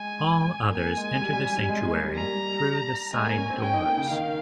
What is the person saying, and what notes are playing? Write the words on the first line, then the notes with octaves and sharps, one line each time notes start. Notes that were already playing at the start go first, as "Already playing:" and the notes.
All others enter the sanctuary through the side doors.
Already playing: G#3 G#5
A#3 G#5
G#3
G3
G3
G3
G3
G#3
G#3
A#3
G3
G3 A#5
G#3 G#5
A#3
C#4
C4
C#4 G5
D#4
A#3
C#3
D#3 F5